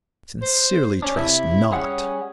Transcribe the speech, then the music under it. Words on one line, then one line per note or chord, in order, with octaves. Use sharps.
"I sincerely trust not."
C5
C#4 D4
C3 E4
G3 C#4 G#4 F#5